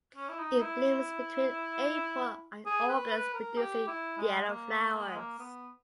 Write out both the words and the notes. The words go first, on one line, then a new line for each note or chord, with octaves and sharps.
It blooms between April and August producing yellow flowers.
C#4
E4
D#4
E4
G#4
B4
B4
A#4
G4
E4
G#3
A#3
A#3
G#3
A#3
B3